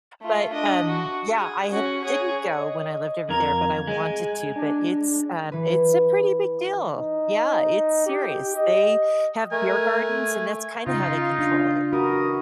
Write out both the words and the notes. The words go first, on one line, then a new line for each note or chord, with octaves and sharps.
But, um, yeah, I have didn't go when I lived over there, but I wanted to, but it's, um, it's a pretty big deal. Yeah, it's serious. They have beer gardens, and that's kinda how they control it.
A3 F4
D4 D#5
F#4
G#4
C#4 F#4
G#4 C#5
D#5
F2 A#4 G#6
G#3 G#5
D4
E3 B4
D#4
G4
D#5
A3 A#4 G#5
C#3 D#4 F4
D4
E3 E4 F#4 A#4 D#6